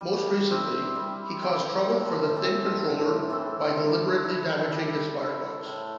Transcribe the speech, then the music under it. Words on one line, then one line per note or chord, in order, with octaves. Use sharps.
Most recently, he caused trouble for the Thin Controller by deliberately damaging his firebox.
G3
C4 E4 G4
G3
C4 E4 G4
A2
E3 C4 A4
A2
E3 C4 A4
G3
E4 A4
G3
E4 A4
A2